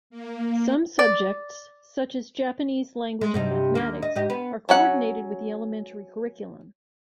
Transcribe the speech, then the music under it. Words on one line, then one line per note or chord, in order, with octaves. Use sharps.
Some subjects, such as Japanese language and mathematics, are coordinated with the elementary curriculum.
A#3
D5
G#3
G2 C3 D#4
D#2 A#3
D#5
G#2 G4 D#5
B3
F#3 C#4 F#5